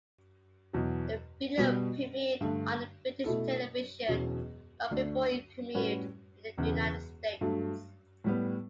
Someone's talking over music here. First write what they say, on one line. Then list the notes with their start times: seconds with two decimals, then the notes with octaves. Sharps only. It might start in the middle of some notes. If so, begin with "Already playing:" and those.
The video premiered on British television long before it premiered in the United States.
0.73 E2 B2 F#3
1.57 B2 G3 B3
2.41 G2 D3 A3
3.24 B2 A3 E4 A4
4.08 E1 E2 B2 F#3 C#4
4.91 D2 D3 A3 D4 A4
5.74 A2 G3 C#4 F#4 B4
6.58 E1 E2 C#3 E3 B3
7.41 G2 F#3 A3
8.24 A2 G3 B3